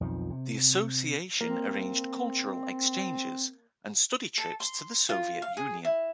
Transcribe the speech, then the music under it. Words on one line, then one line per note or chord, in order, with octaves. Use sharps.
The association arranged cultural exchanges and study trips to the Soviet Union.
B1 F2 D#3 F3
C3
A#3 C4
A4
C6
F4
F5
G#4
E4